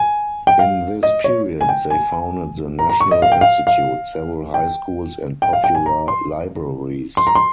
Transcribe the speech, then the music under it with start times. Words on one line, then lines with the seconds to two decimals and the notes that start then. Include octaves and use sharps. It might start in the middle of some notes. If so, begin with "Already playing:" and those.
In this period, they founded the National Institute, several high schools and popular libraries.
Already playing: G#5
0.47 G5
0.59 F5
1.03 D#5
1.24 C#5
1.61 G#5
1.69 G5
1.90 G#5
2.79 A#5
2.89 A#5
3.01 C#6
3.11 D#5
3.22 F5
3.32 G5
3.41 F5
3.67 F5
4.54 G5
5.42 G5
5.53 F5
5.64 G5
5.75 G#5
5.86 A#5
6.08 C6
7.17 C6
7.27 A#5
7.35 C6